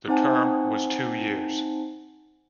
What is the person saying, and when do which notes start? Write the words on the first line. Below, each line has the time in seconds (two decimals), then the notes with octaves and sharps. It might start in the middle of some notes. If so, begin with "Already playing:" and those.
The term was two years.
0.08 C4 D#4 C5 F#5 G#5 A5